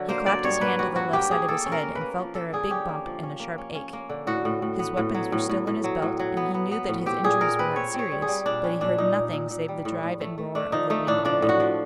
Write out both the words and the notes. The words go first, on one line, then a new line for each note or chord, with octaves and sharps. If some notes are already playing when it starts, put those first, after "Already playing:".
He clapped his hand to the left side of his head, and felt there a big bump and a sharp ache. His weapons were still in his belt and he knew that his injuries were not serious, but he heard nothing save the drive and roar of the wind and rain.
Already playing: D3 F#3
A#3 C5
F#3 D5
G2 C#5
A#3 B4
G2 F#4
F#3 F#4
A#3 G4
A#3 G#4
A#3 A4
C#4
A#4
A#3
B4
A#3
F3
A#3 A4
D3 G#4
C#4 G4
A#3
F3
C#4
A#3
C#4
C#4
A#3
D3
A2 F#4
A2
A2
B3
A2
F#3
A2
A2
A2
F#3
A2
F#3
B3
B3
B3
A2
C4 G4
A#2 G#4
A#2 A#4
C4 B4
C4 C#5
C4 C#5
G3
G#4
G3
A#2 D4
G3 C#4
A#2 D4
A#2 D#4
A#2
A#2
A#2
G3
A2
A2
A3
A3
A3 D4
F3 D#4
A3 D#4
A2 D4
F3 D4
A2
F#4
F3